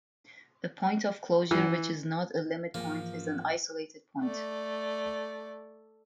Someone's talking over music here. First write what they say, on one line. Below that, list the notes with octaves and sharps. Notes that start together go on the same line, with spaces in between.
A point of closure which is not a limit point is an isolated point.
E3
G#2 E3 F3 A#3
A3 D5